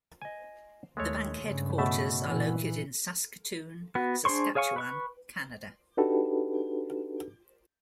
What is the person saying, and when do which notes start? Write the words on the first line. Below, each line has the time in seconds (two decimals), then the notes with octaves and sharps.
The bank headquarters are located in Saskatoon, Saskatchewan, Canada.
0.22 D#5 G#5
0.97 D#2 G#3 A3 C#5
1.42 G2 C#3
1.78 B2 A3 E5
2.24 A#2 E3
3.95 B3 F#4
4.25 D4 G#4 C5 C6 C#6
4.55 G#4 C#5 F5 G#5 C#6
4.76 B4 C#6 F#6
5.97 D4 D#4 F#4 G4 A4 B4